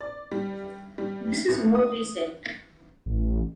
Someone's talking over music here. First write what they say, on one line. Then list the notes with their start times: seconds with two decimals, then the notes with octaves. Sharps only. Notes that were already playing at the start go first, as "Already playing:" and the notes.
This is more recent.
0.01 D5
0.31 G3
0.98 G3
1.48 C2
1.75 D#6
3.06 A1